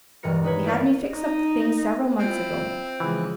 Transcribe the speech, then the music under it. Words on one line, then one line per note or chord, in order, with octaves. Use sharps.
She had me fix up the things several months ago.
E1 G2 E3 A#4 C#7
D#3 D#4 B4 C#5
E4 G4 A#4 C#5 D5 F5
D#4
C4 E4 F4
C#3 E3 F3 G#3